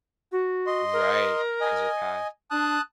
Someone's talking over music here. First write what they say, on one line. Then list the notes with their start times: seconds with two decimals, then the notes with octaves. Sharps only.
Right. She finds her path.
0.31 F#4
0.67 D#5 C6
0.93 A#4
1.61 D#5 G#5
2.51 D4 A5 D#6 F#6